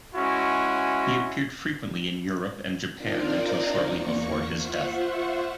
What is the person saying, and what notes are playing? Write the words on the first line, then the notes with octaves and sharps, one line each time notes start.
He appeared frequently in Europe and Japan until shortly before his death.
G#3 C#4 E4 F#4
C4 D4 D#4 F4 A#4 D5
E2 A#3 C#6
F4 C5 E5 F#5 C#6